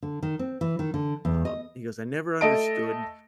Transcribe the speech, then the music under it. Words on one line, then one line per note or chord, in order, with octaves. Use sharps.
um, he goes, "I never understood
D3
D#3
C4
E3
D#3
D3
E2
D#5
A3 D#5 A5 D7